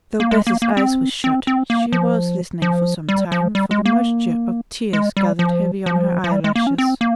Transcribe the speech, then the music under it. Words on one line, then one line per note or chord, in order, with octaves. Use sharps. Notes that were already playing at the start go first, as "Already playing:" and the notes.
Though Bessy's eyes were shut, she was listening for some time, for the moisture of tears gathered heavy on her eyelashes.
A#3
G#3
A#3
A#3
C4
C4
C4
A#3
F3
F3
G3
F3
G3
G#3
A#3
G#3
G3
F3
F3
F3
G3
G#3
A#3
C#4
C4
A#3